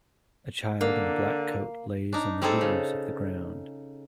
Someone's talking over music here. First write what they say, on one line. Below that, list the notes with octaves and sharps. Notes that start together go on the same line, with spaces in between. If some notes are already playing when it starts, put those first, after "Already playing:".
A child in a black coat lays on the leaves on the ground.
D3 A#3
D4 D#4
G3 C4 D#4 G#4 A4
C#3